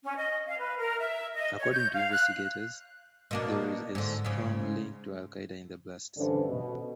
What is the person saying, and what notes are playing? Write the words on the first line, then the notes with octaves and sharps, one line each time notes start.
According to investigators, there is no strong link to Al Qaeda in the blasts.
C#4
D#5
F5
B4
A#4
E5
D#5
C#5
G6
F5
F#6
B2 A#3 D4
G#2 D3
G#2 C#3
G2 D3 E3 C#4 A4 C5
B2